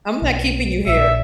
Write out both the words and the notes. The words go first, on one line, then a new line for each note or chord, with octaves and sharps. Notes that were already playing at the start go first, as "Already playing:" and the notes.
I'm not keeping you here.
B1
A#1 E5